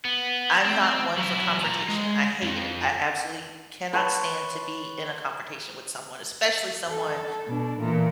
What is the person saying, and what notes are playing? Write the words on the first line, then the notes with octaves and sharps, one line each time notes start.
I'm not one for confrontation. I hate it. I absolutely cannot stand to be in a confrontation with someone, especially someone
B3
C4
F#3 E4
F3 A#5
G#3
F2
B4 C#5 A5 C6
A4
B2 D4
A#2 E3